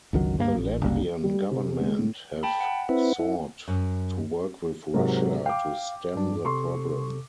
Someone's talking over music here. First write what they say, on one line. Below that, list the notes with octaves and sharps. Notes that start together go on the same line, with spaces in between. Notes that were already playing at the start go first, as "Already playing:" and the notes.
The Latvian government have sought to work with Russia to stem the problem.
G1 C#2 D#3 F#3
D2 G2 A3 A#3
A1
F#1 C2 G3 A#3
G3
C3
G#3
A2
G5 A5 B5
F#5
C4 E4 B4
E4
F#2
G#2 C3 F#3 A#4
F5 G5 D6
G2 D4
C3 A4 C6 C#6